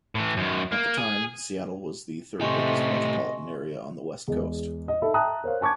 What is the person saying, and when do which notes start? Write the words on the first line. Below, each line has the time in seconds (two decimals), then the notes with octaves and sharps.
At the time, Seattle was the third-biggest metropolitan area on the West Coast.
0.15 A2 E3
0.37 F#2 D#3
0.72 A#3
0.98 G#4
2.41 A2 C3 A3 G4 D#5 G#5 C6 C#6
4.28 E2 G#3
4.88 D#5
5.02 D#4 A4 E5 B5
5.14 E5 G5 A5 A#5 D#6 F#6
5.44 A#4 C5 C#5 F5
5.61 G#5 A5 C#6 D6 G#6